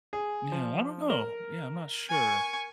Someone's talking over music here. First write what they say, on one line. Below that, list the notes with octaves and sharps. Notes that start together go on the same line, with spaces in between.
Yeah, I don't know, yeah, I'm not sure,
G#4
F3
A#4
G#5 C#6